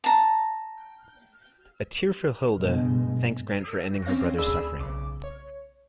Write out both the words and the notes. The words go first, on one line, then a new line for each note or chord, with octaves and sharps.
A tearful Hilde thanks Grant for ending her brother's suffering.
A5 A#5
F#1 G2 B2 G#3
C4 C#4 C#5 F5 A#6
D2 G#4 D5 B5 E6
B1 C#3 D6
C#5